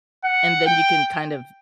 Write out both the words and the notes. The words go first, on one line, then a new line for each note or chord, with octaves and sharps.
and then, you can kind of
F#5
G5